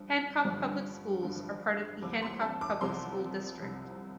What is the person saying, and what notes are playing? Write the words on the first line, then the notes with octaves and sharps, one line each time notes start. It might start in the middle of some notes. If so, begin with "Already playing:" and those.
Hancock Public Schools are part of the Hancock Public School District.
Already playing: G2 F3
G2 D3 F3
G2 D3 F3
C2 C3 F3 D6
C6
A5
D6
C2 C3 F3 C6
C2 C3 F3